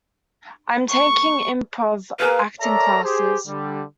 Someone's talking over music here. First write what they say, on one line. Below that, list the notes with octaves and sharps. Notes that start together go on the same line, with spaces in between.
I am taking improv acting classes.
C#6
A#3 G#4 B4 F5
A4 A#4 C#5 D5 E5 A#5
G4 G#4 C5
D3 G3